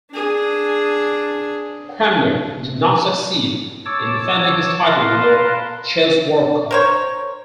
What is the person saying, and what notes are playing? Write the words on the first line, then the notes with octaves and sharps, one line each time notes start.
Kramnik did not succeed in defending his title in the Chess World Cup.
D4 G#4
C#5 A5 D6 E6
A#4 B4 F5 A5 C6
A#4 C5 C#5